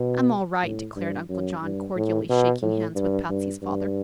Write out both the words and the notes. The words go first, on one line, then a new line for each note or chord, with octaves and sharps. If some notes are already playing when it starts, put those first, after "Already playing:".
"I'm all right," declared Uncle John, cordially shaking hands with Patsy's father.
Already playing: B2
A2
G2
F#2
G2
A2
B2
A2
G2
G2
G2